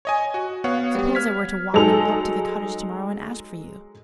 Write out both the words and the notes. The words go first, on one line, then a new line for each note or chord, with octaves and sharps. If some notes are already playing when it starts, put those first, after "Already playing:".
"Suppose I were to walk up to the cottage tomorrow and ask for you?"
C#5 D#5 G#5
F#4
B3 C#5 F5 F#5
G3 B3
F6 G#6 B6
F#3 G#3 D#4 A4 F7